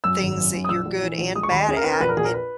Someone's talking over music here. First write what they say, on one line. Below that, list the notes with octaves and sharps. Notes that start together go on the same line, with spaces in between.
things that you're good and bad at it
F#2 E6
G#1
F#2
F#2
D#6
A#1 E6
A#1
E3
A#1
G#3 D#6
C#6
D#2 B5
D#5
C#4 G#4
A#4
C#4 B4
A#4
A#1 B4
A#4
A#1 G#4
A#4
B4